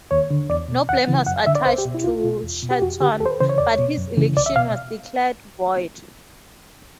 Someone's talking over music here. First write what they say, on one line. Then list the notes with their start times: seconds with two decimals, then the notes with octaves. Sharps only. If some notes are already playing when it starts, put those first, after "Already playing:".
No blame was attached to Shenton, but his election was declared void.
0.11 D#2 C#5
0.30 D3
0.49 E2 D5
0.68 B2
0.88 D#2 F#5
1.07 C#3 E3
1.26 F#2 F#5
1.36 F5
1.46 D3 E5
1.55 D5
1.65 C#2 C5
1.78 G4
1.85 B2
1.95 E4
2.04 C2 F4
2.24 B2
2.43 E2
2.63 B2
2.71 G4
2.81 F2 F#4
3.01 D3 G4
3.20 D#2 A4
3.26 C5
3.30 B4
3.40 C#3 E3 C5
3.49 C#5
3.58 E2 D5
3.66 C#5
3.78 B2
3.98 F#2
4.17 C#3 E3
4.37 C2 D5
4.46 E5
4.56 B2 F5